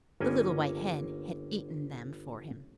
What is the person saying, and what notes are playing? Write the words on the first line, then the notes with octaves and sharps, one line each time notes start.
The little white hen had eaten them for him.
G1 A#3 C#4 G5 G#5